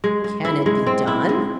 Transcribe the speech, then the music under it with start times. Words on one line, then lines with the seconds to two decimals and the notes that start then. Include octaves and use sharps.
"Can it be done?"
0.04 G#3
0.24 G#3
0.45 E4
0.66 G#3
0.87 C4
1.07 E4
1.29 G#3